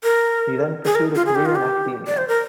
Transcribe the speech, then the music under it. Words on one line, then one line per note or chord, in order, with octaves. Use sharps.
He then pursued a career in academia.
A#4
G#4
A#4
F4
G#4
G4
F4
G4
D5
C5
A#4